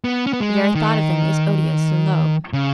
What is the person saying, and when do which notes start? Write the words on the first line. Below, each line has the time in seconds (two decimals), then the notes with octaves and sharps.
The very thought of them is odious and low.
0.04 B3
0.27 C#4
0.33 B3
0.40 G#3
0.75 D#3
2.53 C#3